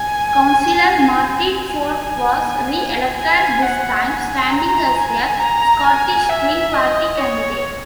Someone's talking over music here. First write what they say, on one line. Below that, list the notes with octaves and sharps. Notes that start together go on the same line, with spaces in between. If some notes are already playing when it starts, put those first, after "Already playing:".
Councillor Martin Ford was re-elected, this time standing as a Scottish Green Party candidate.
Already playing: G#5
G#5
G#5
F#5
G#5
A#5
G#5
A#5
G#5
E5
D#5
C#5